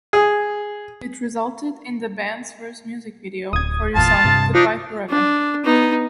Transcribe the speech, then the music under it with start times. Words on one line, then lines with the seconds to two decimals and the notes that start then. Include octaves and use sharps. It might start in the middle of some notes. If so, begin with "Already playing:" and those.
It resulted in the band's first music video, for the song "Goodbye Forever".
0.13 G#4
3.53 D1 D#6 G#6
3.96 G1 E2 A#2 F4 A5
4.24 G2 C3
4.55 F3 D4 D#4
5.10 D4
5.65 B3 D#4